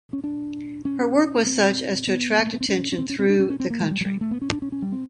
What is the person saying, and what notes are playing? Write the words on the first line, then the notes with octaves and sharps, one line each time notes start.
Her work was such as to attract attention through the country.
C#4
D4
C#4
C4
B3
A3
A#3
B3
C4
C#4
C#4
C4
C#4
C4
D4
C#4
C#4
C4
A#3
G#3
G3
F#3
G3
A3
B3
C#4
D4
C#4
C#4
G3
C4